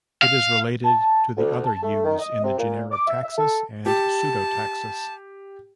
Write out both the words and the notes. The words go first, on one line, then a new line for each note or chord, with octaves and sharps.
It is related to the other yews in the genera "Taxus" and "Pseudotaxus".
F5
A5
D2
A5
A3
D#3
D#5
C3
A#2
D6
E5
E5
A4
G4 A5